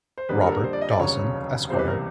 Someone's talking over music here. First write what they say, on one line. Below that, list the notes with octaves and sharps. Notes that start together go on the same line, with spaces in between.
Robert Dawson Esq.
C5
F2 D3 G3 A#3 B4
A#4
A4
A#4
C5
D5
D#5
D5
F1 D#2 C#3 F#3 C#5
C#2 C3 E3 G3 B3 C5
B4
A#4